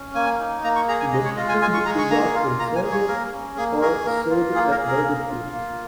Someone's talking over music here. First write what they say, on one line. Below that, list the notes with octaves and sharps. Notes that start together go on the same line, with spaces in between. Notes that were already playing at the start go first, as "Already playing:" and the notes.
The food is often served or sold at barbecues.
Already playing: C#4
A#3 G#5
D#4
A#3 A#5
C#6
G#4 A#5
G#5
G#3 D#5
C#5
F4 D#5
G#5
G#3 G#5
C#6
G#4 A#5
C#6
A#3 A#5
F4 F5
A#3 A#5
G#5
G#4
C#5
A#3 A#4
C#4
A#3 G#4
G#4 A#4
A#3 A#4
F4
A#3 G#4
A#4
G#4
A#4
A#3
F4
A#3